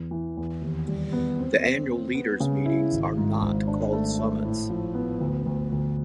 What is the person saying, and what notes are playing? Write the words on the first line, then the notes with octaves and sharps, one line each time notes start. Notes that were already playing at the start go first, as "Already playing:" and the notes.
The annual Leaders' Meetings are not called summits.
Already playing: E2
E3
E2
D#2
G3
B3
C4
C4
C4
B3
C#3
E4
G#1
G#2
G#1
D4
A3
A3
A2
F3
B3
D2
D2
D2